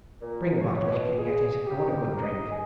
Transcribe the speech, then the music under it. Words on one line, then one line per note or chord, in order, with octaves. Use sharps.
"Bring a bottle if you can get it--I want a good drink."
A#2
G#2
C#5
B2
G#4
G4
A#4
D#5
G#4